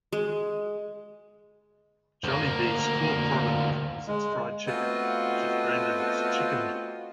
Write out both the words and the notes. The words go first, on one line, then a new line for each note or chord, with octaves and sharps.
Jollibee's core product is its fried chicken, which is branded as Chickenjoy.
G#3
D2 A#3
G#3
A3 B3 C4 F4 F#4 D#5